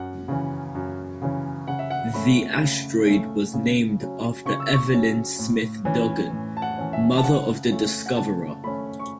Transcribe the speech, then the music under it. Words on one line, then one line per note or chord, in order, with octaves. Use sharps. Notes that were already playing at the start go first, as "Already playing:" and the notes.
The asteroid was named after Evelyn Smith Dugan, mother of the discoverer.
Already playing: F#2 F#5
C#3 E3 C#4
F#2
C#3 E3 C#4
C#3 F#5
E5
F#5
A3 C#4 B5
C#3
A3 C#4
C#3
F#3 C#4
C#3 C#6
E6
C#6
F#3 C#4
A2
E3 C#4
A2
A5
F#5
E3 C#4
E5
A5
C#3 F#5
A3 C#4
F#5
C#3 A5
A3 C#4 B5
C#6